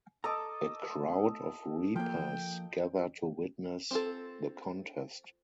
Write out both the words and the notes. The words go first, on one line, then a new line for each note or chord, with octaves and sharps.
A crowd of reapers gather to witness the contest.
A4 D#5 A#5 D6
F3 A#3 G5
C4 F4 A4